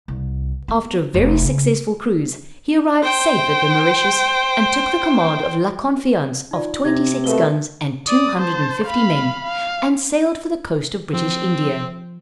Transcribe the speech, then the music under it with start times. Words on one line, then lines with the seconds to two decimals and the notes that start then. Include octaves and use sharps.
After a very successful cruise he arrived safe at the Mauritius, and took the command of La Confiance of twenty-six guns and two hundred and fifty men, and sailed for the coast of British India.
0.08 C2
0.68 B3
1.14 F1
1.42 C#3
3.02 C5 G5
6.51 D#4 F4 D5
6.85 C3 G#6 A#6
7.24 B2 A3 A#4 F5 G7
8.07 D5 D#6
8.38 C5 A5
8.85 F5 B5
9.45 F5
11.13 F3 C4